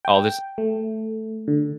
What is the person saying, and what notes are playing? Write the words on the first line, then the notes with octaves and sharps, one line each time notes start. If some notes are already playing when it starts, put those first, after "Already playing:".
Oh, this
G5
A3
D3